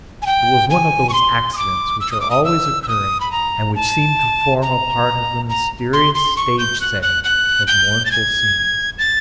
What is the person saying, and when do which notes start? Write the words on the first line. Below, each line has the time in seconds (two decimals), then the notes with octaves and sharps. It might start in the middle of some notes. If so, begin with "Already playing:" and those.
It was one of those accidents which are always occurring, and which seem to form a part of the mysterious stage-setting of mournful scenes.
0.22 G#5
0.26 G5
0.70 G#5
1.09 C#6
1.13 C6
1.53 D#6
1.57 D6
2.00 E6
2.11 D#6
2.21 D6
2.31 D#6
2.45 E6
2.83 E6
2.88 D#6
3.20 B5
3.32 A#5
3.75 A5
4.62 A#5
5.50 A#5
5.93 C6
6.15 C6
6.37 C#6
6.59 G6
6.81 F#6
7.02 F#6
7.24 F#6
7.67 G6
8.05 A6
8.12 G#6
8.99 A6